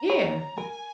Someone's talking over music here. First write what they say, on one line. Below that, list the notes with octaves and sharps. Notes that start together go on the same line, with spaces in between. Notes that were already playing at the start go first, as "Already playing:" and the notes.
Yeah, m
Already playing: A#5
C#5
A#4 G#5